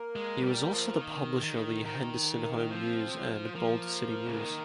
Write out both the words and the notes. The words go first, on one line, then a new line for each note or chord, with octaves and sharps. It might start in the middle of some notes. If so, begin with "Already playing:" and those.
He was also the publisher of the "Henderson Home News" and "Boulder City News".
Already playing: A#3 A#4
G#3
G3
F3
D#3
D#3
D#3 A#4
C5
A#3 A#4
A#3 A#4
F3 C4 C5
C5
F3 A#3 A#4
C#3
D#3